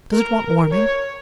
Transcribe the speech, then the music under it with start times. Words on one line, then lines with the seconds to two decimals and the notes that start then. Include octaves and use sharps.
Does it want warming?
0.13 A#4
0.72 C#5